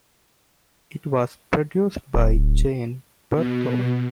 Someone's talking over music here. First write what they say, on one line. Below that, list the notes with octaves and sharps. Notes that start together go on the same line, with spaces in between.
It was produced by Jane Berthoud.
D1
B2